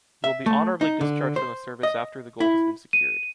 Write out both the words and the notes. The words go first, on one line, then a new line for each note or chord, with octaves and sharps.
You will be honorably discharged from the service after the gold has been secured.
E5
A3
D#4
D3
C5
D#5
E4
D#7